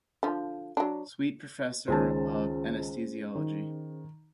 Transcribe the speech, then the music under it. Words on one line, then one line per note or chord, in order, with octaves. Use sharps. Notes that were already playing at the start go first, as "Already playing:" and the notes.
Sweet Professor of Anesthesiology.
D3 F3
F#3 D4
C#2 D#3 C#4 G#4 C5 A5
D#3